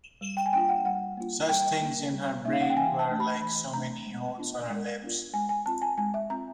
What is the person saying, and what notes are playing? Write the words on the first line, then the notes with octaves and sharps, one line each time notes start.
Such things in her brain were like so many oaths on her lips.
G3
G5
G#5
A#3 D4 F4 G5
F#5
G3 F#5
A#3 D4 F4
G3 G5
A#3 D#4
G3
A#3 D#4 E5
F5
F#5
G5
E3 G#5
A5
A3 D4
B5
E3 B5
A3 D4 A#5
G#3
B3 D4 F4
G#3
B3 D4 F4
G#3 G#5
G#5
C4 F4 A5
G#5
G#3 G#5
E5
C4 F4 A#5